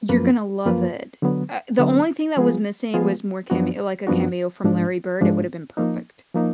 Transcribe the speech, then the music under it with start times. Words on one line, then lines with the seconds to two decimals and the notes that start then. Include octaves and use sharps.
You're gonna love it. Uh, the only thing that was missing was more came like a cameo from Larry Bird. It would have been perfect.
0.09 F#2 F3 A#3 F4 B4
0.66 F#2 F3 A#3 F4 B4
1.22 D3 F#3 B3
1.79 D3 F#3 B3
2.37 F3 G#3 B3 F4 G#4
2.94 F3 G#3 B3 F4 G#4
3.50 F#2 F3 B3 D4 F#4
4.07 F#2 F3 B3 D4 F#4
4.64 G#2 F3 G#3 D4
5.21 G#2 F3 G#3 D4
5.77 F3 A#3 D#4
6.34 F3 A#3 D#4